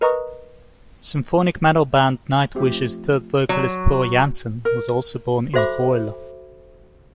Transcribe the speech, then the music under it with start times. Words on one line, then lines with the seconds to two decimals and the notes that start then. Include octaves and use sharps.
Symphonic metal band Nightwish's third vocalist Floor Jansen was also born in Goirle.
0.01 A#4 B4 D#5 A#5 C#6 D#6
2.55 F3 A3 C4 F4 G4 E5
3.49 F#3
4.65 A#4
5.54 F#4 A4 C5 E5 B5 D6